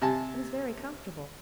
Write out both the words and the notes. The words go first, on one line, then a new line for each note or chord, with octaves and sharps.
It was very comfortable.
C3 G#5 A5